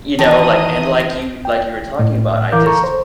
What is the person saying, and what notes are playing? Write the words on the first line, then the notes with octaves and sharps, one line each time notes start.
you know like and like you like you were talking about, I just
D#3 E3 D#5 G5 A5 D#6
G5
A2
E3 A#4 F5 D6 G6
A4 A#5 C#6
C5